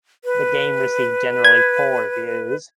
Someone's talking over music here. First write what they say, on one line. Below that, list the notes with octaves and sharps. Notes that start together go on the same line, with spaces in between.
The game received generally poor reviews.
B4
G#6